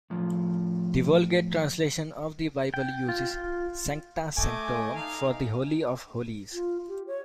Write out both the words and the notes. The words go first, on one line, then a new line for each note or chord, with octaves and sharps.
The Vulgate translation of the Bible uses "Sancta sanctorum" for the Holy of Holies.
A2 F3
G5
F4
F4
A3 D#5 G#5 D6
D#4 F5
F4
G4
C#5